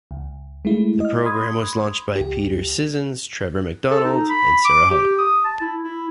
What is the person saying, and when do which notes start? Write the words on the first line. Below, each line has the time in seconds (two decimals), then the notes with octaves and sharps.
The programme was launched by Peter Sissons, Trevor McDonald and Sarah Hogg.
0.11 C#2
0.65 G#3 A3 E4
1.00 D#5 F6
1.26 B5 C6 D#6 G#6
2.16 C#2 G4
3.90 A4
4.04 D#4
4.29 B5
4.64 D6
4.90 G4
5.18 D#6
5.44 A5
5.61 E4
5.83 E4